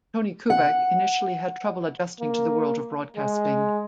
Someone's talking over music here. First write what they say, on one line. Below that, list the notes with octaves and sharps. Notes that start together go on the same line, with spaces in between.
Tony Kubek initially had trouble adjusting to the world of broadcasting.
F#5
A#3
G#3